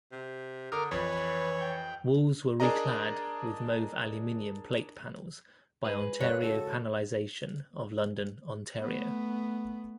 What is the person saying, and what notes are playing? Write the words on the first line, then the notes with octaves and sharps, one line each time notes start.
Walls were reclad with mauve aluminum plate panels by Ontario Panelization of London, Ontario.
C3
D3 A#4 D6 D#6 F6
F2 E3 B4 C#5
G5
D4 G#4 A#4 D5 D#5 A#5
G#2 G#4 B4
A4 C#5 D5 F5 F#6
C#2 E4 F#4 G#4 A4
A3 B3